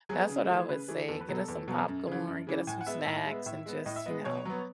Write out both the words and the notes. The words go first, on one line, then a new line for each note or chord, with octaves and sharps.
that's what I would say. Get us some popcorn, get us some snacks, and just, you know,
F#3 B3 G#4
C#3
E3 A3
C#3 B4
E3 A3 G#4
E2 A4
B4
B2 F#3 B3 A4
E2
B2 F#3 B3
F#2
C#3 E3
F#2
C#3 E3
A2 G#5
F#5
G#3 B3 E5
A2
G#3
B3
A2 E5
G#3 B3
A2 D#5
E5
G#3 B3 D#5
B2 C#5
F#3 B3